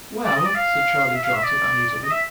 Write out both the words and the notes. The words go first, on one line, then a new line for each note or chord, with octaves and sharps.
"Well--" said Charlie Johnson uneasily.
D5
D#5
D5
F5
F5
E5
F5
E5
D5
D#5
E5